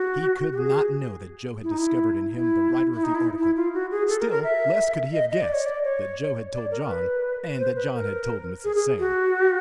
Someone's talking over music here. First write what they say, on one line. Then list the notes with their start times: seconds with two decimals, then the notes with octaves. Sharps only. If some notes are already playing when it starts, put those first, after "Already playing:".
He could not know that Joe had discovered in him the writer of the article, still less could he have guessed that Joe had told John, and that John had told Mrs. Sam.
Already playing: F#4
0.52 G4
0.58 G#4
1.64 E4
1.71 D#4
1.78 E4
2.34 E4
2.94 E4
3.04 D#4
3.15 E4
3.39 E4
3.56 F4
3.74 F#4
3.91 G#4
4.09 A4
4.20 A#4
4.31 A#4
4.44 E5
5.13 D#5
5.31 D#5
5.43 D5
5.53 C#5
5.66 D5
5.84 C#5
6.53 D5
6.71 A#4
6.88 B4
7.59 C5
7.76 B4
7.94 A#4
8.64 G#4
8.76 G#4
8.99 F#4